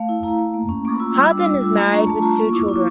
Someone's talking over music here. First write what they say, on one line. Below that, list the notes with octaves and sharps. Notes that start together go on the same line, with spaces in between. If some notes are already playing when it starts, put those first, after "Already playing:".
Hardin is married, with two children.
Already playing: A3 F5
E4
E4 A#5
A3
A#3
C#4
A#3 C#6
F4 E6
G3 E6
D4 D6
G3 D6
F4 E6
A3 A#5
D4 C#6
A3 A5
F4 A#5
A#3 C#6
E4 D6
E4 D6